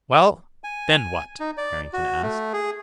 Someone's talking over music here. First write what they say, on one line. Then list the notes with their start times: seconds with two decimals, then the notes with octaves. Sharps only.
"Well, then what?" Harrington asked.
0.64 G#5
1.40 D#4
1.57 D5
1.93 F#4
2.23 A3
2.53 G#4